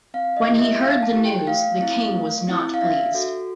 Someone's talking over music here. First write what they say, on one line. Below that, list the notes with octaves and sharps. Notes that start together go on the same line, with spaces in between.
When he heard the news, the King was not pleased.
C4 F5
D#5
E4 G4
E5
C4 F5
A5
E4 G4
G5
A3 F5
C4 E4
A3
C4 E4
F5
D4 E5
F#4 A4